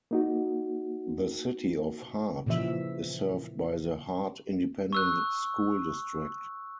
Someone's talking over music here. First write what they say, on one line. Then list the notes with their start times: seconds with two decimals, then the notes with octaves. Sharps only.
The city of Hart is served by the Hart Independent School District.
0.11 A#3 D#4 F#4
2.46 A#2 C#3 E3 F3 E5
4.93 C#6 E6 F#6